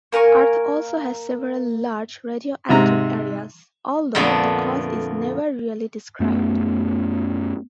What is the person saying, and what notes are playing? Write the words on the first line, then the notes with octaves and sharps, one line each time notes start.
Earth also has several large radioactive areas, although the cause is never really described.
A#3 A#4 G#5 C#6
G#2 C3 A#5
F2 A#2 D3 A3 B3
F#2 A3 B3